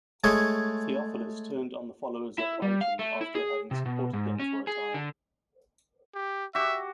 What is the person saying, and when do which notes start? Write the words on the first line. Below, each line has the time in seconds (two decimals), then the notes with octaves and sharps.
Theophilus turned on the followers of Origen after having supported them for a time.
0.24 G#3 A3 G#4 C#5
2.38 E4
2.62 G3
2.81 F5
2.99 A3
3.21 E4
3.35 G#4
3.71 C3
3.86 B2
4.13 G#2
4.39 C#4
4.67 G#4
4.94 D3
6.14 G4
6.55 F#4 G4 E5